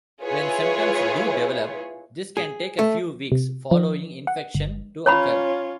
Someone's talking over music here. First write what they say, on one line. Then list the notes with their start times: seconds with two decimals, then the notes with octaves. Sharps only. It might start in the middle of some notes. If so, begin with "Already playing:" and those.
When symptoms do develop this can take a few weeks following infection to occur.
0.23 E4 F4 G#4 B4 C#5
2.37 G#4
2.79 A3
3.32 C3
3.71 F3
4.27 F#5
4.55 G1
5.06 C#4 F4 C#5 A#5 B5